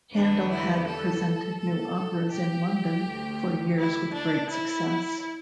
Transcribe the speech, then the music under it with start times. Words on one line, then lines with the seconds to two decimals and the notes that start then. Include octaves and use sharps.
Handel had presented new operas in London for years with great success.
0.15 E2 D3 G3 B3 D4
0.50 E4
0.87 A4
1.60 A4
2.32 G4
3.05 D2 D3 A3
3.77 E4
4.14 D4
4.50 E4